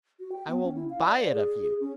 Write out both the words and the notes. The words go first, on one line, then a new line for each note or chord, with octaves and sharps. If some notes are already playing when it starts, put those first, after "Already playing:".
"I will buy it of you."
F#4
G5
B3
C#4
E4
F5
D5
G#4
G#4
C#4